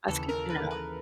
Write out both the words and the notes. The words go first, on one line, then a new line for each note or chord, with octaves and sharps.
that's good to know.
D#2 C#3 E3 A4
A#4
B4
B4